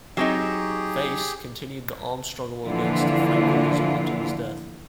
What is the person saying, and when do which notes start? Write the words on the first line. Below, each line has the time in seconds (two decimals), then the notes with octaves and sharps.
"Face" continued the armed struggle against Francoism until his death.
0.17 F#3 C4 D#4 G4 G#4
2.65 D3 E3 F3 A#3 E4 F4